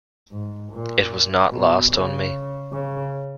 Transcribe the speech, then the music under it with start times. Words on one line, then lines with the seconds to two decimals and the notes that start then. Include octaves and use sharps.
It was not lost on me.
0.32 G#2
0.72 A#2
1.51 B2
1.91 C#3
2.72 C#3